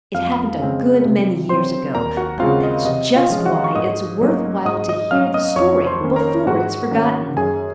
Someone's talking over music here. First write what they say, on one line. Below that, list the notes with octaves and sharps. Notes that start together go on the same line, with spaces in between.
It happened a good many years ago, but that's just why it's worth while to hear the story before it is forgotten.
F2 F5 F6
C#3 G#3 C4
C3
F#3 C4 C5 C6
D#2 A#4 A#5
F#4 F#5
C#3 G#3 C4 F4 F5
D#5
C3 D#5
F4 F5
F3 G#3 C#4
F#4 F#5
C#6
G#2 D#5 D#6
F#3 A#3 C#4
G#2 D#5 D#6
D#5 D#6
F#3 C#4 F5 F6
D#5 D#6
F2 C#5 C#6
C5 C6
D#3 A#3 C#4
A#4 A#5
G#2 F#4 F#5
D#3 A#3 C#4
F#2 G#4 G#5